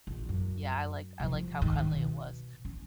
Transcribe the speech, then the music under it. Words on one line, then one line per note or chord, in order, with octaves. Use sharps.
Yeah, I liked I liked how cuddly it was.
A#1
F#2
C3 F3
G#2 D#3
B2
C#4